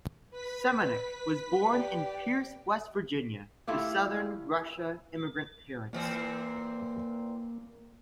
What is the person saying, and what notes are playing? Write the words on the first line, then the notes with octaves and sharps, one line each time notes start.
Seminick was born in Pierce, West Virginia to southern Russia immigrant parents.
B4 B6
G4 D5
A3 E4 F4 G4
A#2 E3 A#3 C4